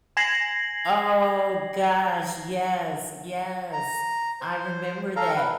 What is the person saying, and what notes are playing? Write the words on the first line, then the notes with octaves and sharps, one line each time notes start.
Oh gosh! Yes! Yes! I remember that.
G#5 G#6 A#6 C7 F#7
A#5
C5
A4 F5 A#5
B4